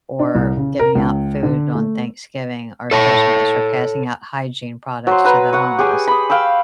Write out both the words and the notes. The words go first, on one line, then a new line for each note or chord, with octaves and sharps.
or giving out food on Thanksgiving or Christmas, or passing out hygiene products to the homeless.
D4
C2
C#3
A#4
C#2
D3
A3
A4 C#5 A5
F#3 C5
B4 A#5
C#5 F#5
G4 G#4 C#5 G#5
B5 D#6
F5 G5 B5 E6